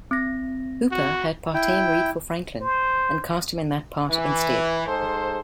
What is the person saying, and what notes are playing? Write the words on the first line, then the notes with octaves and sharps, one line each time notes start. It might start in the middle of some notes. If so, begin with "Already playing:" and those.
Hooper had Partain read for Franklin and cast him in that part instead.
C4 A#6
F#4
E4 G5
C5
E3
G#2 G#4 A4 C5